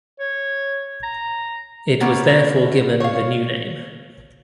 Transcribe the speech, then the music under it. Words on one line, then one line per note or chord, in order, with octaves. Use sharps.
It was therefore given the new name.
C#5
A#5
A#3 B3 C#4
C#5 F5